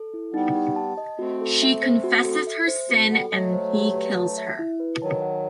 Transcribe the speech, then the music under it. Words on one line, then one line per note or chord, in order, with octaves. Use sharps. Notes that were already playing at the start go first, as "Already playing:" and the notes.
She confesses her sin and he kills her.
Already playing: A4
E4
G3 B3 D#4
G4
A5
D#5
A3 C4 F#4
A4
E5
C5
F#4
A4
E5
C5
A3 C4 F#4
G3 B3 A4
F#3 A3 D#5
C5
G4
B4
A5
E5
E4
B4
D#3 F#3 A5
F#5